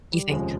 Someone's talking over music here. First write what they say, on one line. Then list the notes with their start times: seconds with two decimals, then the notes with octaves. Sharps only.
You think?
0.12 G3
0.30 F1 D#2 C#3 F3 G#3